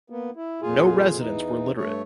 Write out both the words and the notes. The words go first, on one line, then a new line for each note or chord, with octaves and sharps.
No residents were literate.
A#3 B3
E4
F2 A#2 F4 G#4
E2 E3 D#4
G2 A3 C#5